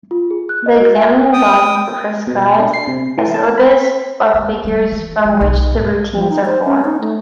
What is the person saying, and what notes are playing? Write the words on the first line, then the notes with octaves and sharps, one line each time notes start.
The examining body prescribes a syllabus of figures from which the routines are formed.
F4
G#4
F#6
D#5
F#4
G#5
G5 D#6
B2
D4
C7
C3
E3
A5
B5
B6
G#3 A#3
G3 G#3
E3
F#3
B1
G#2
F3
D#4
C5
C#4
D#4
A3